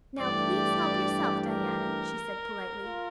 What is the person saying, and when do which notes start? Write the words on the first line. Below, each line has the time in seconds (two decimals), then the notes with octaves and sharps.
"Now, please help yourself, Diana," she said politely.
0.19 G2 E3 A3 D4 G4 D5
1.49 A#4
2.79 F4